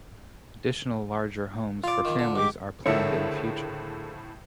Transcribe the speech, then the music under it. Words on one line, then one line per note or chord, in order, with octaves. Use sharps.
Additional larger homes for families are planned in the future.
F4 D5 F5 D6
D#3
D3
G#2 G4 D6
C#2 A2 D3 F3 G#4 A#4 C#5 E5